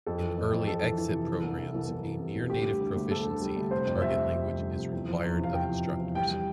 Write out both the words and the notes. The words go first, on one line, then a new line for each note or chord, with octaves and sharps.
In early-exit programs, a near-native proficiency in the target language is required of instructors.
F2 A4
E3
F2
F2
F2 A4
E3
E3
C3
E3
C2
E3
C2
C2
E3
C3
C2
D2 G4
G3
D3
D2
D2 A4
D3
G3
D2
C3 C5
F2
G3 E5
F2
G3
G3
C3
F2
E2
F3
E2
C3 F5
E2 G5
F3
E2
E2
G3 G5
G3